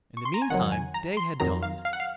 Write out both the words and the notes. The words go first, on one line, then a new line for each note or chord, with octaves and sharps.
In the meantime day had dawned.
C#6
C6
A#5
G#5
F2 D#3 F#3 F#5
G#5
A#5
C6
F2 D#3 F#3 A#5
F5
F5
F#5
F5